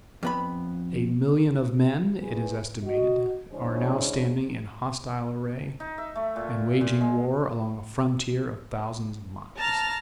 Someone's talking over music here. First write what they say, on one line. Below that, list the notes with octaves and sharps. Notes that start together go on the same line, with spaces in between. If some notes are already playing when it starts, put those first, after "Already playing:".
A million of men, it is estimated, are now standing in hostile array and waging war along a frontier of thousands of miles.
F2 B3 B5
E2 A#2 G#4 B4
F#4 D#5
C#3 E3 G#3 C#4 D4 C5
D#4
E5
A3
A#2
A#2
G#3
A5 A#5 F6